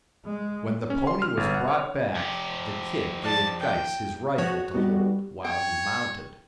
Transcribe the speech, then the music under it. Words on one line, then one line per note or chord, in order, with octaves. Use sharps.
When the pony was brought back the "Kid" gave Geiss his rifle to hold, while he mounted.
G#3
C#4
C6
F6
G1
F#5
C#5
F3 G4
D5 A5
G5
F3 F#4 C#5
G3 B3 D#4 G4
C#5 G5